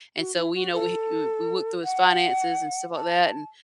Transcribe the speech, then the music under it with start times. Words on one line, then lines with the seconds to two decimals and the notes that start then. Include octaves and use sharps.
And so, we you know, we w we looked through his finances and stuff like that. And,
0.18 F#4
0.36 E4
0.54 F#4
0.73 A4
1.84 F#5
2.95 A5